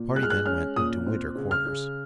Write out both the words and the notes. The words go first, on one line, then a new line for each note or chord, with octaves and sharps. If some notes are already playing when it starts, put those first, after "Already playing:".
The party then went into Winter Quarters.
Already playing: A#2
G#3 F#6
F6
F#6
C#4 F6
A#2 D#6
C4
C#3
F6
C#3